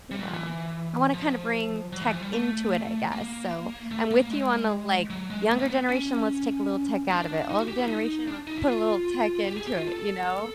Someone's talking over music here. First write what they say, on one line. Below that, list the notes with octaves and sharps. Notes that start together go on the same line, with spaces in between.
you know, I wanna kinda bring tech into it, I guess, so I'm with you on the, like, "Younger generation, let's take a little tech out of it. Older generation, let's put a little tech into it," you know?
G3
F#3
F3
E3
F3
F#3
E3
F3
G3
A3
A#3
A3
A#3
G#3
F#3
G#3
A3
A#3
B3
C#4
D4
D#4
F#4
G4
E4
D#4
D4
D#4
E4
F4
G4
G#4
G4
F4
A4